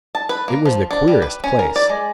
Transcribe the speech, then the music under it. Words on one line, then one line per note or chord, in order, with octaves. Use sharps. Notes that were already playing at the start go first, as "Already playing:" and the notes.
It was the queerest place!
A5
B4
A#3
F3
D4
G3
B4
C#4
A#4
D5
G#3